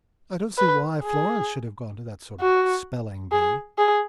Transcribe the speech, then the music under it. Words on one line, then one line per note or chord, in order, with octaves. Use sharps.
I don't see why Florence should have gone to that sort of spelling bee.
B4
G#4
F#4
G#4
G#4